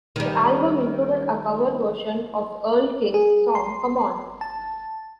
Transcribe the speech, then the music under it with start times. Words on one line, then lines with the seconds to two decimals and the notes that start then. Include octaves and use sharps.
The album included a cover version of Earl King's song, "Come On".
0.16 D#3 G3
3.14 G#4
3.55 C6
4.41 A5